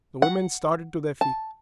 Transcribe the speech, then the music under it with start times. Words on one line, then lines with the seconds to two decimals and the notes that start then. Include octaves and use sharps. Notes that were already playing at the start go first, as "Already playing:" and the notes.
The women started to their feet.
0.22 F#5
1.21 A5